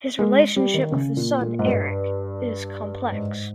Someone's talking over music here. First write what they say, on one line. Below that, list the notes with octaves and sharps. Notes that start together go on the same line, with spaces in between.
His relationship with his son Eric is complex.
G#3
G3
D#3
C#3
A#2
A#2
G#2
G2
G#2